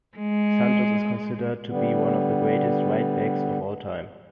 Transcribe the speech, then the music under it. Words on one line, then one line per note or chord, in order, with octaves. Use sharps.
Santos is considered to be one of the greatest right-backs of all time.
G#3
D3 G3 B3